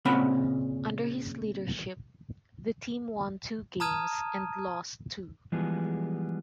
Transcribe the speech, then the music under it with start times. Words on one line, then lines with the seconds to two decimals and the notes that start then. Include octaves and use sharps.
Under his leadership, the team won two games and lost two.
0.05 A#2 C#3 C4 C#4 F#5 B5
3.80 A5 A#5 D#6 F6 G#6 D#7
5.52 E3 F3 G3 G#3 B3 G#4